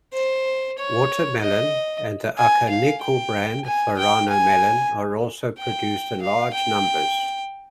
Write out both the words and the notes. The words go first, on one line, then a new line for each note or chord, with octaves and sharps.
Watermelon and the Akaniku-brand "Furano Melon" are also produced in large numbers.
C5
C#5
D#5
G#5
F5
G5
G#5
G5
G#5
G5
F5
G5